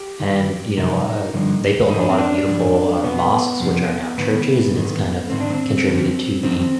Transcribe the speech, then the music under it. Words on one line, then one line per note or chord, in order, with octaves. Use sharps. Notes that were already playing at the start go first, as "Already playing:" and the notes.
and, you know, uh, they built a lot of beautiful, uh, mosques, which are now churches, and it's kind of contributed to the
Already playing: G4
G#2 D#3
F2 C3 D#4
G2 D3 F3
G#2 F3 D#4
D4
C4
D4
G#2 F3
B2 B3
F2 C3 F3
G#2 D#3 B3
G#2 D#3
G#2 D#3 C4
D4
C4
F2 D3 F3
F2 D#3 C4